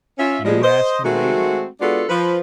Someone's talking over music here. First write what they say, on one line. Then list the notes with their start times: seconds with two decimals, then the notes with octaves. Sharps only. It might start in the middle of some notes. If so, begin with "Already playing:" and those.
"You?" asked Milady.
0.18 C#4 F4 E5
0.45 B2 F3 G3 G#3
0.63 C5 D#5
1.04 D#3 G#3 A3 C4 F#4
1.81 G#3 B3 D4 F4 F#4 A4
2.09 F3 B4